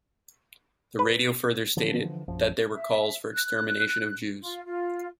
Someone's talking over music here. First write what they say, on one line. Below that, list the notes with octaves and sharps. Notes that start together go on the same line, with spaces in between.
The radio further stated that there were calls for the extermination of Jews.
B4
D3 E3 F3
A#1 F#2 F3
E5
F#6
F4
F4